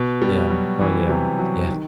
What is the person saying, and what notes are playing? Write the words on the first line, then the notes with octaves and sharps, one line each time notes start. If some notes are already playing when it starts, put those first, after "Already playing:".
Yeah. Oh, yeah. Yeah.
Already playing: B2
G3
F#3
E3
C3
F#3
D#3